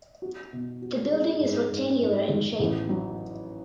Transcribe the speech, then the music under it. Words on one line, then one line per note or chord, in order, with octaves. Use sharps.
The building is rectangular in shape.
F#4
B2
F#4
G#3
G#2
G#2
G#2
D#3
A1
F#3